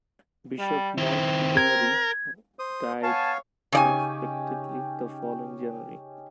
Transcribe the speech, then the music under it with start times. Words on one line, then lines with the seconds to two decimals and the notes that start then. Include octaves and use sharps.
Bishop Montgomery died unexpectedly the following January.
0.59 G3
0.98 D#3 C4 E4
1.57 A#4 G#6
2.59 C5 D#6
3.03 B3 C#5 F5 G#5 A5
3.72 C#3 C#4 D#4 G4 D5 G#5